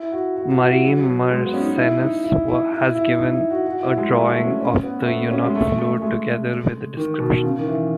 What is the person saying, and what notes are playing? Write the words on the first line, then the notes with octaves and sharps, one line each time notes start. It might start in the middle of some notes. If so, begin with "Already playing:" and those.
Marin Mersennus has given a drawing of the eunuch flute together with a description.
Already playing: E4
F#4
F#4
F#4
E4
F#3
F#3
G#3
B3
C#4
D#4
E4
D#4
E4
E4
E4
E4
D#4
E4
F#4
F#4
E4
F#3
G#3
A3
A3
C#4
C#4
B3
A3
B3
C#4
G#3
A3
A3
A3
G#3
D#3
B2
C#3
D#3
E3